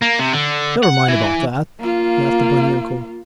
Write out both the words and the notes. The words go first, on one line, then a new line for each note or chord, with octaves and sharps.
"Never mind about that," laughed the bunny uncle.
A#3
C3
D3
F#5
E3
A#3 F4